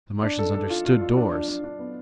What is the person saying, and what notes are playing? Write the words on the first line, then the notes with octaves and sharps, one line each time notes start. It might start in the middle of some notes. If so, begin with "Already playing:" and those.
The Martians understood doors!
D4
A4
A4
F4
F4
F4
D4
D4
D4
D4
B3